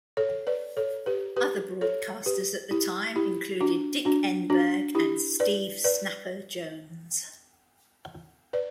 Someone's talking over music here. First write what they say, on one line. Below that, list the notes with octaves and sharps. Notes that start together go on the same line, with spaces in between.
Other broadcasters at the time included Dick Enberg and Steve "Snapper" Jones.
A4 C#5
B4 D5
A4 C#5
G4 B4
G4 B4
A4 C#5
G4 B4
E4 G4
E4 G4
D4 F#4
D4 F#4
D4 F#4
E4 G4
B4 D5
B4 D5
B4 D5